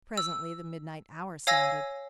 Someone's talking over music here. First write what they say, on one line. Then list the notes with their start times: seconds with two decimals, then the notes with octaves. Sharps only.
Presently the midnight hour sounded.
0.17 E6
1.47 C#5 F5 G#5 E6 A#6